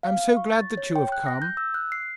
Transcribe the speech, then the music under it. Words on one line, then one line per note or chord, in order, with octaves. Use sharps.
'I am so glad that you have come.'
F5
C#6
A6
C#5
G5
F#6
A#6
G6
E6
F#6
C7